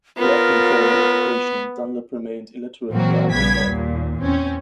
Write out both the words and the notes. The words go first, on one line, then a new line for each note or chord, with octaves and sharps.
Lacking formal education, Dunlap remained illiterate throughout his life.
B3 F4 A#4 C#5
A#2 E3 F#3 A#3 C4 F#4
A#1 C#3 G3 B3 G#6 B6
D#2 A#2
E2 C4 C#4